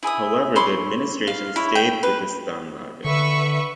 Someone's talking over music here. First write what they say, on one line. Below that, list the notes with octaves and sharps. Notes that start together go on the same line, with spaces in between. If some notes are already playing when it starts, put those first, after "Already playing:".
However the administration stayed with the Stammlager.
E4 G#4 E5 D#6
C#5 B5 C6 D6
F5
E4 C#5
G5
B4
D3 B4 E5 C#6